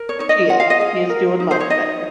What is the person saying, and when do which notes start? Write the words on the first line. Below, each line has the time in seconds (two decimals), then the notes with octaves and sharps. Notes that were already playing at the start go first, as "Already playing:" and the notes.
She is, she is doing much better.
Already playing: A#4
0.09 C#5
0.19 D#4 C#5
0.29 D#5
0.49 F4 F#5
0.60 F5
0.70 D#5
0.80 G#4 F5
1.10 A#4
1.40 D#4
1.51 C5
1.60 C#5
1.70 D#4 D#5